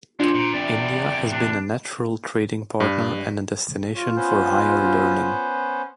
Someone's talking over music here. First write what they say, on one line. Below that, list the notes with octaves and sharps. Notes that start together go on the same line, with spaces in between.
India has been a natural trading partner and a destination for higher learning.
D3 G#3 D4 F4 C5
A#2
E2 C3 D5
D4
G2
F4 C#5
B3 C#4 C5